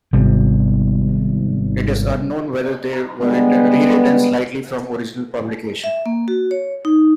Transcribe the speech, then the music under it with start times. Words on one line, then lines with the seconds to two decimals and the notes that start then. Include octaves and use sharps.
It is unknown whether they were rewritten slightly from original publication.
0.13 G#1 C3 G3 B3
3.21 D3 G3 G#3 B3
5.84 E5
6.06 A#3
6.28 F#4
6.51 C#5
6.85 D#4